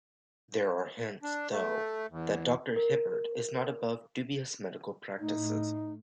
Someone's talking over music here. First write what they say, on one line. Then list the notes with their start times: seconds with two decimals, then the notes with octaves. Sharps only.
There are hints though, that Doctor Hibbert is not above dubious medical practices.
1.23 D4
1.51 A3
2.10 E2
2.76 A#4
5.20 A2 D#4